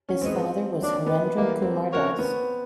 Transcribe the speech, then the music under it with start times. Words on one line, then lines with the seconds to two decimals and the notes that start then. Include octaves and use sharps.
His father was Harendra Kumar Das.
0.09 C#4
0.21 G#2 E3 G#3 B3 C4
0.79 F#3 A#3 D4
1.06 B3
1.35 E3 G3 A#3
1.62 C4
1.91 A3 C#4 F#4 A#4 C#5
2.19 B3